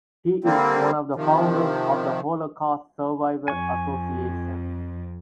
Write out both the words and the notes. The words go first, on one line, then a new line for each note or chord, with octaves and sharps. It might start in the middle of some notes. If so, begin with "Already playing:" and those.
He is one of the founders of the Holocaust Survivor Association.
D3 G3 A#3 C4
C3 D#3 F3
F2 G#5 C#6